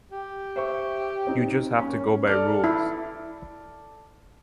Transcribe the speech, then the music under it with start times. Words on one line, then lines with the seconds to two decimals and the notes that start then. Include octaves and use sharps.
You just have to go by rules.
0.12 G4
0.56 C5 E5 C#6
1.27 C4 D#4
1.79 A#3 C#4
2.27 A4 D5 F6
2.64 E4